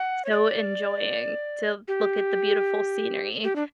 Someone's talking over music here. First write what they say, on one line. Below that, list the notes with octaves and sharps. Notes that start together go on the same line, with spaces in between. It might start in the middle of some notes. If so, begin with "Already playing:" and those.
so enjoying to look at the beautiful scenery,
Already playing: F#5
C#5
D5
G4
G4
D4